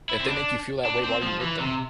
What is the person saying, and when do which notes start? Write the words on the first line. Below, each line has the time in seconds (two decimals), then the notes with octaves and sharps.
If they make you feel that way, why are you with them?
0.09 E4
0.20 C4
0.28 D4
0.85 D4
1.03 C4
1.23 F3
1.41 E3
1.60 C3